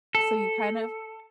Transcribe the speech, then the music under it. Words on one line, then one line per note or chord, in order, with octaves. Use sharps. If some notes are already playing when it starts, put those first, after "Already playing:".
So you kind of
A4